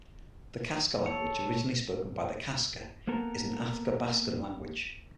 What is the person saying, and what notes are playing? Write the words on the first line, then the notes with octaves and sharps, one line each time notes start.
The Kaska language originally spoken by the Kaska is an Athabaskan language.
A4 C#5
A#3 B3 A4 A#4